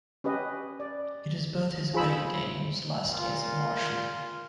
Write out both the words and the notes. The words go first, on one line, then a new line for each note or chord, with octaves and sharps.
It is both his wedding day and his last day as a marshal.
C#4 G4 B4 D#5
D5
F4 G#4 C5 B5 E6
A#2 F4